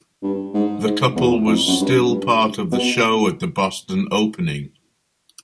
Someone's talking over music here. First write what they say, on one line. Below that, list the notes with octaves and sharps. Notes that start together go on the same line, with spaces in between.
The couple was still part of the show at the Boston opening.
G2
G#2
G#2
E2
F2
F#2
G2
F#2
G2
B2